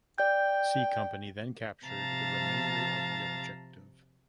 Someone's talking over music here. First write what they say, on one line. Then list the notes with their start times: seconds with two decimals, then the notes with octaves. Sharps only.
C Company then captured the remainder of the objective.
0.18 D5 G5 G6
1.86 C3 F3 F5 A5 A#5 A6